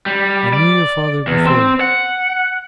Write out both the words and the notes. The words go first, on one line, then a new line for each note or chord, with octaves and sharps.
I knew your father before you.
G3
D5
E2
C4
F#5